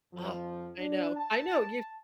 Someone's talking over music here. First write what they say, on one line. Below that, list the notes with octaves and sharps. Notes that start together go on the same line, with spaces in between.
Oh, I know. I know you
F2 F3
D4
A5